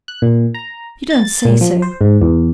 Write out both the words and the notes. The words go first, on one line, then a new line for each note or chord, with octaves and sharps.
You don't say so!
F#6
A#2
A#5
A6
A#2
F3
C5
G#2
E2